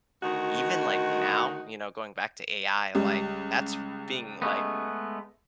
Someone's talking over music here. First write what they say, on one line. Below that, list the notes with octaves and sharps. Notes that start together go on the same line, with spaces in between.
even, like, now, you know, going back to AI, like, that's being, like,
D2 D#3 D#4 F#4
C#2 G3
G#3 A3 B3